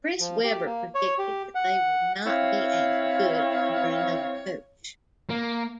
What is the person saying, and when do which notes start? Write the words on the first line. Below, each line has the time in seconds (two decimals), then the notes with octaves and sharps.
Chris Webber predicted that they would not be as good under another coach.
0.20 F3
0.44 G4
0.65 A#3
0.95 C#5
1.18 G4
1.55 F#5
2.27 C4 E4 C#5 F5
5.30 A#3